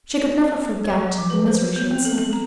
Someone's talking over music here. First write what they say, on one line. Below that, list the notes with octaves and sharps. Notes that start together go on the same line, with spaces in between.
She could never forget the misery she had seen.
C#5
F#3
F3
B4
C5
B3
C4
A4
A4
A#5